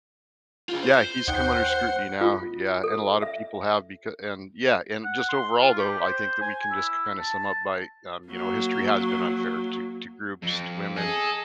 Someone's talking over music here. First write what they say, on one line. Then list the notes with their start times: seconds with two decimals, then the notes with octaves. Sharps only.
Yeah. He's come under scrutiny now. Yeah, and a lotta people have becau and yeah, and just overall, though, I think that we can just k kinda sum up by, um you know, history has been unfair to to groups, to women,
0.69 F4 G#4
0.83 C5
1.28 D#2 D#3 F#5 G5
2.21 F4
2.84 A4
3.22 E5
5.04 F#5
5.29 C6
5.60 F4
5.79 G4
6.00 C5
6.41 G#5
6.71 E4
7.19 A5
8.29 F#3 A#3
10.42 F2
10.96 G#4 A4 D#5